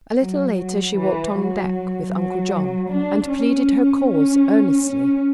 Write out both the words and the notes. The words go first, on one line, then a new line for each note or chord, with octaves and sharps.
A little later she walked on deck with Uncle John and pleaded her cause earnestly.
F#3
F#3
E3
F#3
F#3
D4
C#4
C#4
C#4